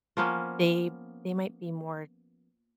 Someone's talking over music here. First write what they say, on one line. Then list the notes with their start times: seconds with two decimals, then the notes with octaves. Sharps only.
m they they might be more
0.17 F3 A#3 B3 C#4